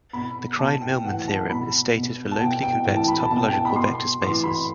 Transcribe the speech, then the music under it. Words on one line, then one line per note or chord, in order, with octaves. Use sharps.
The Krein-Milman theorem is stated for locally convex topological vector spaces.
B2 B5
B2 A5
G5
A2 E3 F#5
A5
B2 B5
B2
A5
B2 G5
G5
A2 E3 G5
A5
B5
A5
B2 A5
G5
A5
B5
B2 C6
A2 E3 C6
B5